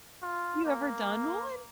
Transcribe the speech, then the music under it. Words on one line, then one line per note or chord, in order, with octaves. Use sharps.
you ever done one,
F4
A#3